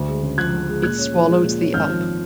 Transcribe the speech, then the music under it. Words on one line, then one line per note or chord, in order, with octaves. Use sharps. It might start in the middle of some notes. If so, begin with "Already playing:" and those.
It swallows thee up.
Already playing: D2
G#3
C#3
F3 F#6 G#6
D2
G#3
A#2 F#6 G#6
C#4
F3
G#3
A#2
C#4
G#1 F6 G6
F3